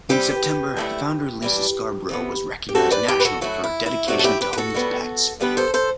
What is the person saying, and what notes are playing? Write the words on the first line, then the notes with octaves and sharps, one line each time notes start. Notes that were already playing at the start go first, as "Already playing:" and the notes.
In September, founder Lisa Scarbrough was recognized nationally for her dedication to homeless pets.
E3 G3 C4 G4 B4
D3 A3 E4
E3 G3 D4
C3 E3 B3
G4
E3 G3 C4 F#4 A4
B4 D5
G4 B4
B4
F#4 A4
F#3 A3 E4 F#4
E4
E4
C3 F#3 A3 D4 F#4
A4
E4 G4
G4 B4
B4
F#4 A4
A2 G3 B3
D3 G3 B3 D4 G4 B4
A4 C5
A4 C5